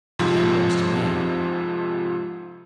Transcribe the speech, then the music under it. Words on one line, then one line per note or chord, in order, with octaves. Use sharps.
Man goes to Man!
F2 G#2 C3 F3